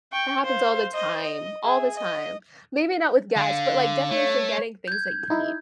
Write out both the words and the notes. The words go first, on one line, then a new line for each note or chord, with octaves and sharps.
That happens all the time. All the time. Maybe not with gas, but, like, definitely forgetting things that you need.
G5 C#6
C5 F5
C5 D#5
D#5
G#4 E5
D#5
D3 F5
A3 C#5
G6 G#6
D#4 E4